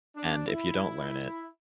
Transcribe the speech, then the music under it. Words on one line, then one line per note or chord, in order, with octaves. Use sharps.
And if you don't learn it
D4
E4